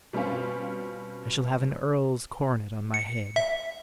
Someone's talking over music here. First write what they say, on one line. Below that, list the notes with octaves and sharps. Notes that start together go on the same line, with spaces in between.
I shall have an earl's coronet on my head.
B2 G3 C4 C#4 F4
C#7
E5